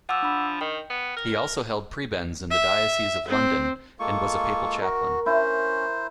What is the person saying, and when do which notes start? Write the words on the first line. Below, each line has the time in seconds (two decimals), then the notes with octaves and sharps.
He also held prebends in the diocese of London and was a papal chaplain.
0.09 F3 F#5 D6 E6
0.22 D4 B5
0.61 D#3 G5
0.90 B3
1.17 A#4
2.51 E5
3.28 C4
4.00 G#3 A#3 F4 A4 C#6
4.82 F#4 A#4
5.26 C#4 E4 C5